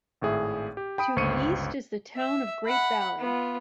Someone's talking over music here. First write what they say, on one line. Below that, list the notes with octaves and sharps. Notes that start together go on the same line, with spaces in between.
To the east is the town of Great Valley.
G#1 A2 G#4 E5
G4
G5 B5 D#6 D7
G1 C#2 C5 C#6 C#7 D#7
E5
F#5 B5
B3 F4